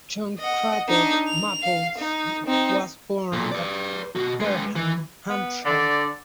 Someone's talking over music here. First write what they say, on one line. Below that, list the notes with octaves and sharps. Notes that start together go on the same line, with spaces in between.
John Cradock Maples was born at Fareham, Hampshire.
D#5 F#5
D4 D#4
F7
F5
D#4
C4 D#4
B1 A#2
B4 D5
B2 F#4
G#3 B4
E3
B3
D3 D5